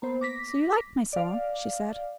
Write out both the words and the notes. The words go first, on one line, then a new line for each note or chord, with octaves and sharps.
"So you liked my song?" she said.
A#3 B3 C5
D6 A#6 B6
D5 F5